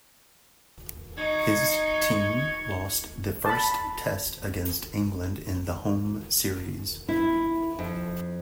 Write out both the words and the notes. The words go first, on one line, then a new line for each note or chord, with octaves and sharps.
His team lost the first test against England in the home series.
D#4 C#6 G#6
A5 B5
E4
F2